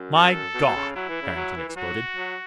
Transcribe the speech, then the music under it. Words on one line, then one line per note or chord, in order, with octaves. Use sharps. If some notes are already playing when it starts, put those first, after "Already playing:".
"My God!" Harrington exploded.
Already playing: F#2
A4
B2
B2
C#3
F#3 E4
E3
C#3
F#3
E3
E3
F#3 F#4
F#3